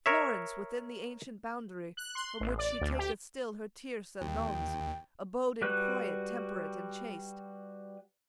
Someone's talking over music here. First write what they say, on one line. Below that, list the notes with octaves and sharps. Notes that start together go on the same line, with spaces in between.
Florence, within the ancient boundary From which she taketh still her tierce and nones, Abode in quiet, temperate and chaste.
A#4 C#5 E5
F#6
C6
A1
D5
D2
G4
D#2 G5
G3 F#4 B4 F#6